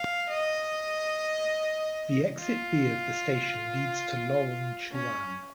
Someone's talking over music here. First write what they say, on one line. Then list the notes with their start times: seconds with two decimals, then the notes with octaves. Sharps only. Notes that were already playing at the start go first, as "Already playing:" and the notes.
The Exit B of the station leads to Lorong Chuan.
Already playing: F5
0.30 D#5
2.40 F4
4.92 C#4